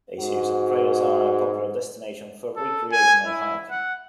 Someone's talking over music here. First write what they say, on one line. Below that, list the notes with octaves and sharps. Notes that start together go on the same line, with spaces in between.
A series of trails are a popular destination for recreational hiking.
G#2 F#4
A4
G#5
E4
F#5